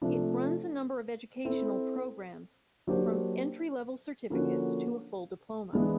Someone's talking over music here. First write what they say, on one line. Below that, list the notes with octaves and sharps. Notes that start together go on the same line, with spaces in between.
It runs a number of educational programmes, from entry-level certificates to a full diploma.
C3 F3 A3 D4
C4 E4 A4
F#3 A#3 D4 G4 C5
D3 F3 A#3 C#4 F#4
E3 G#3 B3 D4